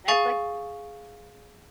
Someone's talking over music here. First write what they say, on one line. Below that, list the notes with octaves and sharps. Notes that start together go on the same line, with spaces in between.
that's like
G#4 F5 G#5 C#6 A6 F7